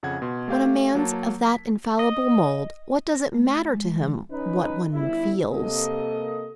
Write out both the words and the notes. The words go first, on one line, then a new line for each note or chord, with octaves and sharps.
"When a man's of that infallible mould what does it matter to him what one feels?"
F2 C#3 F#5 G#6
B2 C6
A3 G4 F5 G6
F#3 A#3 A5
B6
D#5
A#6
A3
A6
G#3
E3
C#4 D#4 B4
G1 E4
C3 A#3 A4 D#5